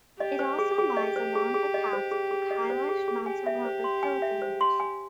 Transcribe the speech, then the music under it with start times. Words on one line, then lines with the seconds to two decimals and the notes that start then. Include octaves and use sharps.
It also lies along the path to Kailash-Mansarovar pilgrimage.
0.20 G4 D#5
0.39 C5
0.59 G#4
0.78 G#4
0.97 D#5
1.16 C5
1.35 G#4
1.54 G#4
1.74 D#5
1.93 C5
2.11 G#4
2.31 G#4
2.51 D#5
2.70 C5
2.89 G#4
3.08 G#4
3.26 G4 G#5
3.46 E5
3.65 C5
3.84 C6
4.03 G#5
4.22 E5
4.42 C5
4.61 C6
4.80 G#5